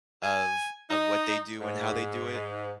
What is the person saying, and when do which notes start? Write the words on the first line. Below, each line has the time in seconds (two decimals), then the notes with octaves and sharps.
of of what they do and how they do it,
0.24 G#5
0.90 D#4
1.60 G#2